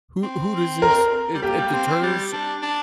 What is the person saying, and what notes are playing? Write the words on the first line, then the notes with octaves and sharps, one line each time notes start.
Who who does this It it deters,
C4
A#4
G3
A#3 G4
G3
A#3
C4
C4
G3
D4
D4